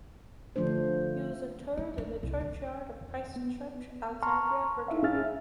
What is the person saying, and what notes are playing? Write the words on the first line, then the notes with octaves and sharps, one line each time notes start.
He was interred in the churchyard of Christ Church, Alexandria, Virginia.
D3 F3 A3 D4 C5
G#3
D4
C2
D3
E2
B3
A5 A#5 C6 C#6 F6
D#4 E4 E5 F5
G#2 C#4 G#4 E5 F6 A6